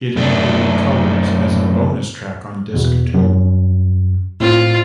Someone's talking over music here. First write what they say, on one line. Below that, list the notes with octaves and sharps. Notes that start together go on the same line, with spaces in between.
It included "Colors" as a bonus track on disc two.
F#2 A3 D4
E2 B2
F#2
A2 C4 F4